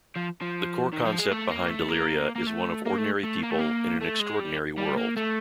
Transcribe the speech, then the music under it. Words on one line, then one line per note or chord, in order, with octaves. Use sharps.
The core concept behind Deliria is one of ordinary people in an extraordinary world.
F3
F3
D#3
F3
G#3
A3
A#3
A3
A#3
A#3
A3
A#3
A3
A3
A#3
A3
A#3
A3
G#3
G3
G3
A#3
A3